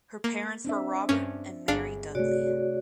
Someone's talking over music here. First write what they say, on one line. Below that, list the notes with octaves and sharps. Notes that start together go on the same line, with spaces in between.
Her parents were Robert and Mary Dudley.
A#3
C4 D4 E5
G2 C#4
G1 D4 G#4 F5
C3 A3 F#4 C#5 D5